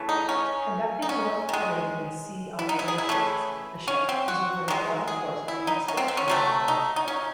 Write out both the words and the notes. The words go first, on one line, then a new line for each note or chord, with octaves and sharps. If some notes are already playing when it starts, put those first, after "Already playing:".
Conducting North Arabian Sea operations, the ship was awarded the Armed Forces Expeditionary Medal.
Already playing: C#3 E3 A3
D#4
C#4
D#4
C#4
D#3 G#3
E4
D#4
E4
G#4
E4
C#3 E3 A3
C#4
C4
F#4
D#3 G#3
G#4
E4
D#4
C#4
C4
C4
C#4
C3 F#3 A3
D#4
D#4
C#4